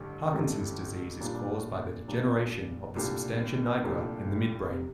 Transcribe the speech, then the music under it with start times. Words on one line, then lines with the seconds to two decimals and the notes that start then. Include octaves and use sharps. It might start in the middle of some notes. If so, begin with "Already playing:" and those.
Parkinson's disease is caused by the degeneration of the substantia nigra in the midbrain.
Already playing: A1 G2 D3 A3
0.32 A1 G2 D3 A3
1.21 A#2 G3 D4
2.08 A#2 G3 D4
2.95 C2 A#2 A3 D4 G4
3.84 C2 A#2 A3 D4 G4
4.71 C3